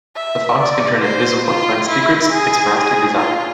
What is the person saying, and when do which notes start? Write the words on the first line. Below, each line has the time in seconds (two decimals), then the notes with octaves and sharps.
The fox can turn invisible and find secrets its master desires.
0.16 E5
0.59 D5
1.02 C5
1.46 F4
1.89 E4
2.32 G#4
2.76 G#4
3.18 F4